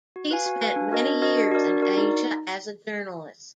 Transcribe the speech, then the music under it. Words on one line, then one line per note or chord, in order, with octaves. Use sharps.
He spent many years in Asia as a journalist.
F#4
B4 F5 G#5
F#4
B4 F5 G#5
D4
F#4 A#4 D#5
D4
F#4 A#4 D#5
D4
F#4 A#4 D5
D4
F#4 A#4 D5
D#4